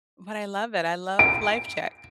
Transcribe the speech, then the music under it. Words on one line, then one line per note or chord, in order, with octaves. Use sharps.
but I love it. I love life check.
D7